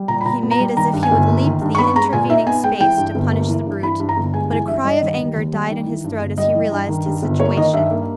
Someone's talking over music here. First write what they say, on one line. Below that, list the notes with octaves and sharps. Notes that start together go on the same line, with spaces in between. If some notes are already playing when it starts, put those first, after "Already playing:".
He made as if he would leap the intervening space to punish the brute, but a cry of anger died in his throat as he realized his situation.
Already playing: G3
A#2 A#5
B5
A#2 A#5
B3
A#5
G3
D#3 A#5
G2
G#5
G1
A#3
D#3
G2
C#6
B3 B5
G#3 A#5
A#2 G#5
D#4 E5
B3 G#5
G#3 G5
E3 G5
G2
G1
A#3
E3
G2
E3 B5
G2
A#5
G1
G#3 G#5
E3 G#5
G2 E5
G3 D#5
D#3
D#2
D#2
G3
D#3
E3
G2
G1
G3 D#5
E3
G2
D#3
G2
G1
A#3 C#5
D#3 D#5
G2 E5
A#3